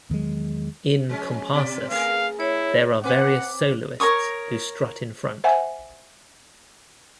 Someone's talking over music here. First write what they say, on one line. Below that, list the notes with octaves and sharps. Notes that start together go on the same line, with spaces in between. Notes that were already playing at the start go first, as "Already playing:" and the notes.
In Comparsas, there are various soloists who strut in front.
E2 D#3 F#3 G#3
F3 G#3 C#4
B2 D5
A3 G#4 A#4 F5
E4 C#5
C4 B4 F#5 D6
A#4 C#5 C#6 D#6
C5 E5 F#5 G#5